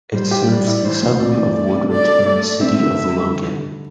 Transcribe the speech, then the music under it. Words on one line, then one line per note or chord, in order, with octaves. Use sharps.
It serves the suburb of Woodridge in the City of Logan.
G3 C5
G4
G3 D5
E4
E3 C5
D2
C4 D5
E3
A3
C4
A4 D5
A4
A3 D5
A3
C4 E5
D3
A4
G3
D3
D3